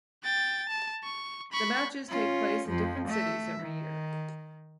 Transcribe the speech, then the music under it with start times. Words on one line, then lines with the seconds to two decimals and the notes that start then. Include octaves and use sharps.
The matches take place in different cities every year.
0.24 G5 A6
0.70 A5
1.03 C#6
1.53 B5 C#6
2.09 C#4 F4
2.68 F2 F3
3.08 A3 E5
3.60 D#3